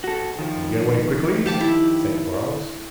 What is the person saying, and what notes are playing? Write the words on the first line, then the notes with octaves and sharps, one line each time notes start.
"We'll get away quickly," said Quarles.
F#4 A4
D#3 F3
G4 A5 D6
E4